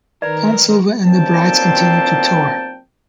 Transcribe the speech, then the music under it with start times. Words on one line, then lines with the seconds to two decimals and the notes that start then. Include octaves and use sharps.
Dawn Silva and The Brides continue to tour.
0.22 D#3 A#4 B4 D5 A#5
1.04 B1 A#2 C4 G5 A5